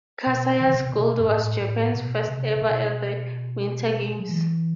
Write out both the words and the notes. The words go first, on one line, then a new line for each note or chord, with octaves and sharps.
Kasaya's gold was Japan's first-ever at the Winter Games.
B2
D#3
C3
B2
C3
B2
G2
A2
A2
B2
C3
C3
B2
F#3
E3